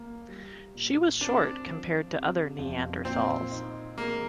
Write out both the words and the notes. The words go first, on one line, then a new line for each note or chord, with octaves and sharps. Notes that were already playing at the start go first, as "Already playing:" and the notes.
She was short compared to other Neanderthals.
Already playing: A#3
G3
A#2
C4 D4
F3
C3
F2
A#2 C4
D#4
G#3 A#3